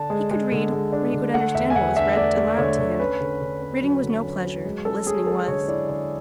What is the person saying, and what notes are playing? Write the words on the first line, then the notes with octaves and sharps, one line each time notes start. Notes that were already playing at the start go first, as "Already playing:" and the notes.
He could read, or he could understand what was read aloud to him; reading was no pleasure, but listening was.
Already playing: D3 D4 A5
G#3
G#3
D3
G#3
D4
D3
A3 F#5
E2 E5
G#5
E2 F#5
D4 E5
A3 D5
A3
D3 C#5
D3
C#4 B4
D3
D3
C#4
F#3
D3
C#4
F#3
G#3
C#4 A4
C#4 G#4
G#3 A4
D3 C#5
E4 D5
D3 C#5